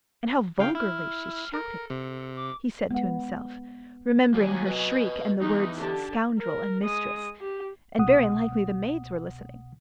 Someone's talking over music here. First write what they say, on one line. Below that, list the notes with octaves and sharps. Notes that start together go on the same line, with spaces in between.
And how vulgarly she shouted," he said to himself, remembering her shriek and the words--"scoundrel" and "mistress." "And very likely the maids were listening!
C#3 E4 F5 G5
E4 F6
A4 A#4
C3
D6
G#3 B3 F#5
D#3 F#3 A#3 G#5
B4 D#5
E2 D#4 G4
D3 G4 A5
A#4
G#3 D#6
G4
C2 B2 F#5 D#6